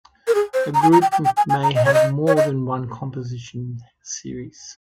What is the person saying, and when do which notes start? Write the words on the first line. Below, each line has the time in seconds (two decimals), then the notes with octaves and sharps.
A group may have more than one composition series.
0.27 A#4
0.35 G#4
0.54 C5
0.74 A#5
0.82 G#5
0.93 A#5
1.02 G5
1.12 G5
1.25 G5
1.37 G#5
1.50 G#5
1.63 A#5
1.76 D#5
1.85 C#5
1.94 D#5
2.27 C#5
2.37 D#5